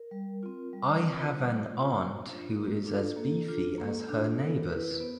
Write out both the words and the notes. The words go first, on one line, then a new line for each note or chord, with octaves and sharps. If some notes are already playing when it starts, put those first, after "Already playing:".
I have an aunt who is as beefy as her neighbors.
Already playing: A#4
G3
C4 F4
G3
C4 F4
G3 C5
C4 F4
A#3
D4 F4
A#3 A#4
D4 F4 A4
A#3 A4
D4 F4
A#3
D4 F4
B3 A4
A#4
E4 B4
B3 C5